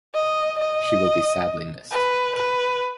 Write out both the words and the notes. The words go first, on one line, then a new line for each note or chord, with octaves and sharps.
She will be sadly missed.
D#5
D#5
B4
B4